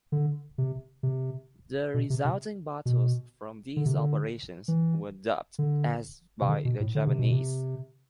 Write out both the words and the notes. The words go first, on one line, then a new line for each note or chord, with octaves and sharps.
The resulting battles from these operations were dubbed as by the Japanese.
D3
C3
C3
B2
C3
C3
B2
D3
C3
D3
E3
D3
C3
D3
B2
A2
D3
C3
B2
C3